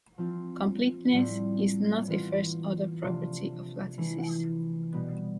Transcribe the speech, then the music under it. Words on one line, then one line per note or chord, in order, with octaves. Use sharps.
Completeness is not a first order property of lattices.
F3 C4 F4
A2 G3 C4 F4
E3 B3 F4
C3 F3 A3 D4 F4
E3 A3 E4
B2 G3 B3